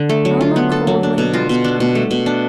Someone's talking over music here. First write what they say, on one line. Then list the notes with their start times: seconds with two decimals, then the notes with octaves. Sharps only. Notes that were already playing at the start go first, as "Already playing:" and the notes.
Alma coldly asked him in.
Already playing: D3
0.09 A3
0.25 F#3
0.41 F4
0.56 B3
0.72 A4
0.87 F#3
1.03 D4
1.18 B2
1.33 F4
1.49 B2
1.64 D4
1.80 B2
1.95 A3
2.11 B2
2.26 D4